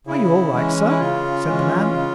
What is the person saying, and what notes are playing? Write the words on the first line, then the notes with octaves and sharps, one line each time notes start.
"Are you all right, sir?" said the man.
C#3 E4
E3 G#3 C#4
E4
C#3 F4
E3 G#3 C#4
C#3